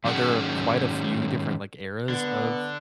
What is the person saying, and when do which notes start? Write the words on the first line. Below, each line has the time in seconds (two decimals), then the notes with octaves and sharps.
are there quite a few different, like, eras of
0.05 G#2 D#3 F#3 C#4 G#4 F#5
2.10 D3 B3